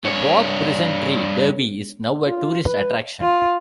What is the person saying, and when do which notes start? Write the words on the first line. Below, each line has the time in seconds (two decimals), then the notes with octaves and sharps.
The Boab Prison Tree, Derby is now a tourist attraction.
0.04 G2 C#5
2.27 F4
2.66 B4
3.21 F4